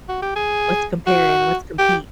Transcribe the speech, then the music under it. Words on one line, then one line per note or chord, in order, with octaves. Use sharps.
Let's compare and let's compete.
F#4
G4
G#4
F#4
G4